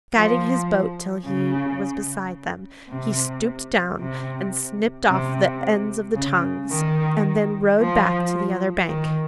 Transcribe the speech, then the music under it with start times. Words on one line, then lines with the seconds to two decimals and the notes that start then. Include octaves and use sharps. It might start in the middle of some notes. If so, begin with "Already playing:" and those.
Guiding his boat till he was beside them, he stooped down and snipped off the ends of the tongues, and then rowed back to the other bank.
0.16 F3
1.25 C#3
2.89 C3
3.98 C3
5.07 C3
6.16 C#3
6.71 D#3
7.80 F3
8.89 D#3